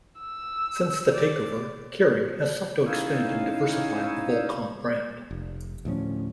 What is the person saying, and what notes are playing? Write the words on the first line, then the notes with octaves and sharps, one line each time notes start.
Since the takeover, Kering has sought to expand and diversify the Volcom brand.
E6
D5
C#4 D#4 E4 F5
F1
D2 A2 F3 C#4